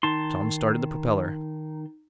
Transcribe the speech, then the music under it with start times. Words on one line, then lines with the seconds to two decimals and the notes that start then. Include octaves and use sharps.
Tom started the propeller.
0.03 D#3 D#4 A5 C6